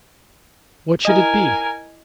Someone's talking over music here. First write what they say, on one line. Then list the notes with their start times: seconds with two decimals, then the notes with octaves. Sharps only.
What should it be?
1.05 E4 A#4 D#5 G#5